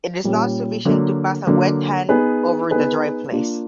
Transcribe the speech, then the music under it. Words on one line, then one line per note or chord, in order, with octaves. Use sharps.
It is not sufficient to pass a wet hand over the dry place.
A#2 G3 A#3 C#4
D3 F#3 A#3
D3 F#3 A#3
B3 D#4 G#4 B4
B3 D#4 G#4 B4
A#3 D4 F4